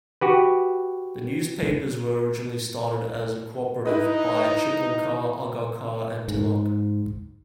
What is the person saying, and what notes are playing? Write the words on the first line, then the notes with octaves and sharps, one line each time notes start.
The newspapers were originally started as a co-operative by Chiplunkar, Agarkar and Tilak.
F#4 G4 B4
D#4 E4 B4 D#5
G#2